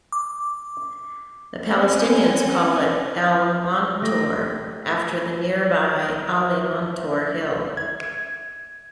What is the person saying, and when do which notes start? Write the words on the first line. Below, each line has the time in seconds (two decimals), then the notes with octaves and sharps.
The Palestinians call it "Al-Montar", after the nearby Ali Montar hill.
0.12 D6
1.63 C4 C#4
4.01 A3 G4 D#6 A#6 D#7
6.13 E5
7.77 G#6